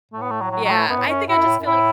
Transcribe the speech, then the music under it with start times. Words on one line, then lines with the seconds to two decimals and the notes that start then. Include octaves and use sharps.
Yeah, I think I just feel like
0.12 A2 A3
0.21 B3
0.31 A3
0.41 F#3
0.51 F#3
0.65 F#3
0.70 A3
0.89 F#2 B3
0.98 A2
1.06 F#2 C#4
1.28 A2 E4
1.37 F#2
1.45 A2
1.59 F#2
1.67 A2 E4